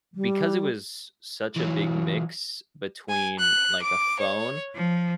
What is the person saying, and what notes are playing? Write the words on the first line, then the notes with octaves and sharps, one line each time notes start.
because it was such a big mix between, like, a phone
G3
E3 F#3
G#5
F#6
D6
C#5
F3